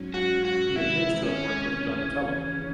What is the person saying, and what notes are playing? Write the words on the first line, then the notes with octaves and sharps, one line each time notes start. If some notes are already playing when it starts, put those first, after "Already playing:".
He appears to have worked with Donatello.
Already playing: G#2 F#3 C#4
F#4
F#4
C3 D#3 G#3 E4
C#4
D#2 C#3 E3